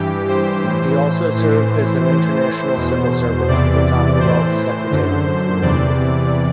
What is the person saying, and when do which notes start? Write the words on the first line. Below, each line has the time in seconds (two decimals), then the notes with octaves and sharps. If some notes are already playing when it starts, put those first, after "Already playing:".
He also served as an international civil servant with the Commonwealth Secretariat in London.
Already playing: G2 E3 G4
0.28 C5
0.63 A2 E3
1.35 A2 E3
2.06 A2 E3 C5
2.41 C5
2.77 E2 B2
3.48 E2 C3 E3 D5
4.19 A2 E3 C5
4.90 F#2 D3
5.62 E2 C3 E3 D5